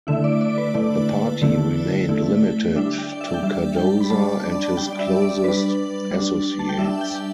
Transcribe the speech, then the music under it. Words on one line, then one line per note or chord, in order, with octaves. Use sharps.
The party remained limited to Cardoza and his closest associates.
D3 A3 E4 E5
D5
D5
B4
D3 A3 E4 D5
D3 A3 E4
D3 A3 E4
G3 D4 E5
G5
D5
E5
G5
G3 D4 E5
G5
B5
G3 D4 A5
D5
G3 D4 G5
D5
E5
D5
G3 D4 B4
G3 D4
A5
G5
G3 D4 E5
G5
G5